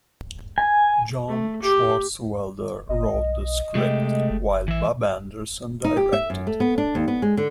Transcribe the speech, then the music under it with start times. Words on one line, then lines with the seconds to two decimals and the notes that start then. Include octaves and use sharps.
John Swartzwelder wrote the script, while Bob Anderson directed.
0.58 G#5
1.29 A3
1.62 G4
2.89 G1 D#5
3.14 B1
3.75 C3 G#3 A3 G4
4.30 F#1
4.68 A1 E3 E5
5.85 D#4
5.97 G4
6.13 E5
6.30 F#2
6.47 A3
6.60 B3
6.78 D4
6.95 D#2
7.08 B3
7.22 G#3
7.37 D3